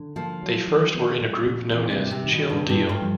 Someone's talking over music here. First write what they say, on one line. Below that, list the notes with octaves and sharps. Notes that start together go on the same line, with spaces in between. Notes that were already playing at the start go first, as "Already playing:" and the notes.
They first were in a group known as Chill Deal.
Already playing: D3
F3 A#3
F#3
D#3
B3
G3
A#2
E3 C4
C3
G3
C3
D#3
B2
G2 D4
G2
A3
G2
F3